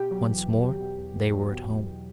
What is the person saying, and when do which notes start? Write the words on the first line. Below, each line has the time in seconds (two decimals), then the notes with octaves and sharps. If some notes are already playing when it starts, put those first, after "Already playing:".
Once more they were at home.
Already playing: B2 G4
0.11 F#3
0.29 E2
0.46 E2
0.64 F#3
0.81 B2
0.98 E2
1.17 E2
1.34 F#3
1.52 B2
1.69 E2
1.86 E2